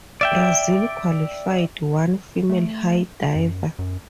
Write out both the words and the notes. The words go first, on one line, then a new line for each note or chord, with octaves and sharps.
Brazil qualified one female high diver.
D5 E5 G5
A3
F#2
F#2